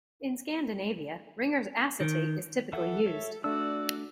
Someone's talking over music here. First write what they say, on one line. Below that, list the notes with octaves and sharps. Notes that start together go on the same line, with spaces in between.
In Scandinavia Ringer's acetate is typically used.
D#3
E3 A4 E5 F#5
C#5 E5
A3 D4 F#4 D5 E6